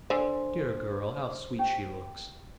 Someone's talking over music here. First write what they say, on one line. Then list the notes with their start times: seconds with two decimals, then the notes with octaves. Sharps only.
"Dear girl, how sweet she looks!"
0.10 D3 C5 G#5
1.59 C#4 G4 G5